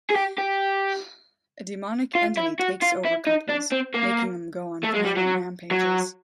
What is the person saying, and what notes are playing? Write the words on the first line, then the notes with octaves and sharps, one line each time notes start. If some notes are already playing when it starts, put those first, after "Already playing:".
A demonic entity takes over couples, making them go on violent rampages.
G#4
G4
G4
F4
E4
F#4
F4
E4
D#4
D4
C4
A#3
A3
G#3
G3
F#3
F#3